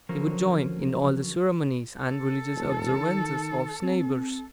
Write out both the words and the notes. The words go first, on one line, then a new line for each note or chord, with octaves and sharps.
He would join in all the ceremonies and religious observances of his neighbours.
D3 F3 F#3 C#4 A#4 C5
A4
E1
D#3
C4